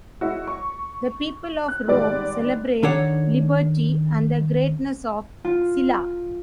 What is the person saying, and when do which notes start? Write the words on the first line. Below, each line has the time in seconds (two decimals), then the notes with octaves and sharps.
The people of Rome celebrate liberty and the greatness of Silla.
0.21 G#3 E4 F#4
0.48 C#6
1.68 F#6
1.88 G#1 G3 G#3 D5
2.83 D#3 D4 A4 C#5 F#5
5.44 F4